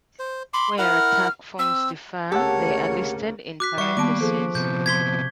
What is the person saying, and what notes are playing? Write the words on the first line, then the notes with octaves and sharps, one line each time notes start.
Where Ratak forms differ, they are listed in parentheses.
C5
B5 C6 D6
E4 A#4 F#5 F6
C4 E6
D2 C#3 A#3 G4 A4 C#5 F#5
F#4 D6 F#6 B6
G3 E5 F#5 C#6
D#3 A#3 B3 A5 D6 D7
F3 G#4 A4
C3 B3 G6
F4 C6 G#6 B6 G7